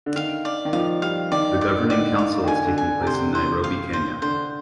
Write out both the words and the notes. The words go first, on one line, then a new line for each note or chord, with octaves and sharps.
The Governing Council is taking place in Nairobi, Kenya.
D3
D#3 F5
D5
D#3
F3 F5
G3 F5
D#3 D5
D5
D3
D#3 D5
F5
D#3
D3 G#5
D3
G#5
D3
C3
D3 C5
C5
F5
C5
D3 C5